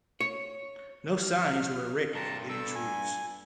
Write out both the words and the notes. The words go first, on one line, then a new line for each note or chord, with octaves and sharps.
No signs were erected for these routes.
C#5
F6
G2 C3 A5 A#5
G2 A4 E6
G#5